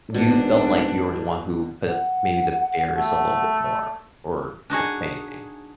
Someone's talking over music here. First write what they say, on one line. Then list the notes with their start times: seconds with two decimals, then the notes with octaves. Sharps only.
you felt like you were the one who put up maybe the barriers a little bit more, or if anything.
0.14 G#1 B2 D4
1.85 F#5
2.96 A3
4.70 D4 D#4 F#4 G#4